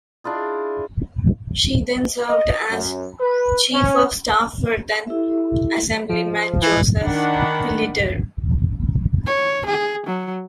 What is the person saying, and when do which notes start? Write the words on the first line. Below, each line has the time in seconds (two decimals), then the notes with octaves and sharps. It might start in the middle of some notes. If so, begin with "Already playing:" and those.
She then served as Chief of Staff for then-Assemblyman Joseph Pillittere.
0.24 D4 E4 F4 G#4
2.29 D#5
2.71 F#2
3.20 B4
3.73 C#4
5.07 E4 G4 A4 E5
6.09 F3
6.62 E3
7.03 D#3 D4 F#5 B5
9.27 C#5
9.66 G#4
10.07 F#3